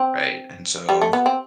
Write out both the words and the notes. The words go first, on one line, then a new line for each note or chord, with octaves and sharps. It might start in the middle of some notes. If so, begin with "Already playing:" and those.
Right, and so,
Already playing: C4
G3
A3
B3
C4